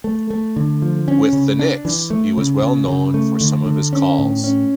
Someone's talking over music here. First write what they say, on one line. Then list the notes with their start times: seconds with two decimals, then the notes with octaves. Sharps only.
With the Knicks, he was well known for some of his calls.
0.04 A3
0.30 A3
0.56 D3
0.82 F3
1.08 C#4
1.33 C#3
1.59 D4
1.85 E3
2.10 A3
2.37 C#3
2.63 C#3
2.88 C#3
3.14 A3
3.41 D3
3.66 D3
3.93 C#4
4.19 A2
4.44 C#4